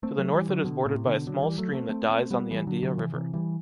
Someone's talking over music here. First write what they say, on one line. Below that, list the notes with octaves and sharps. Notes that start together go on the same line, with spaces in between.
To the north it is bordered by a small stream that dies on the Andilla river.
A3 C4
F#3 A3
E3 G3
D3 F#3
B2 D3
A2 C3
B2 D3
D3 F#3
E3 G3
F#3 A3
A3 C4
A3 C4
A3 C4
G3 B3
E3 G3
D3 F#3
D3 F#3
C3 E3
C3 E3
E3 G3